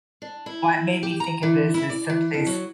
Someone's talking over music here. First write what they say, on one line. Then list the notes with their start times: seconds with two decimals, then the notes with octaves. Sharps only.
what made me think of this is some place
0.22 D4
0.46 E4
1.03 G4
1.20 A#5
1.43 E3
1.74 E4
1.90 D5
2.10 E3
2.34 F2
2.47 F#3